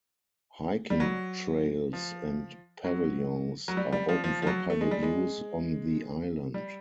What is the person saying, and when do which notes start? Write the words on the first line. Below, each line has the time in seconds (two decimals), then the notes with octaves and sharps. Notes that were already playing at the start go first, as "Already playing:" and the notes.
Hiking trails and pavilions are open for public use on the island.
0.90 G3
1.00 F#3
1.93 F3
2.84 F#3
3.68 F#3
3.77 G3
3.92 G3
4.09 F3
4.24 F3
4.42 F3
4.47 F#3
4.70 A3
4.81 G#3
4.91 G3
5.03 G#3
6.54 G3